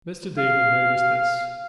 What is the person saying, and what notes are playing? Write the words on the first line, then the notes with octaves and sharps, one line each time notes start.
Mr. Damon noticed this.
F5